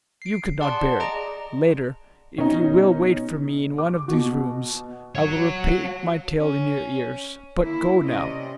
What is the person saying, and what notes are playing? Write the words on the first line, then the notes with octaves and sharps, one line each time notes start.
You could not bear it. Later, if you will wait for me in one of these rooms, I will repeat my tale in your ears, but go now.
C7 D7
G#4 D5 F#5 A5 C6
D5
G#4 D5 D#5 A#5 D7
B2 C#4 D#4
D6
B2 F#4
F#4 C#5
C#4
A#3 E4
C3 C#4 D5 D#5